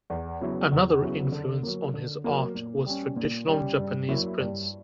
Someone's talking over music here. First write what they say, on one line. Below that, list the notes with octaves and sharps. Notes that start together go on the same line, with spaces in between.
Another influence on his art was traditional Japanese prints.
E2
C#3 F#3 B3 E4
E2
C#3 F#3 B3 E4
D3
F#3 A#3
D3
F#3 A#3
A#2
G3 C#4
A#2
G3 C#4
G2
F#3 A#3 E4
G2